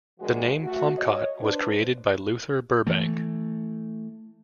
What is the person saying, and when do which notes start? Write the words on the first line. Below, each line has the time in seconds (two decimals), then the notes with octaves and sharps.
The name "plumcot" was created by Luther Burbank.
0.20 D2 A#2 F3 G#3 F#4
0.63 A3 F#4
0.97 C#5 D#5
1.40 D4 B4 C5
2.87 E3 A3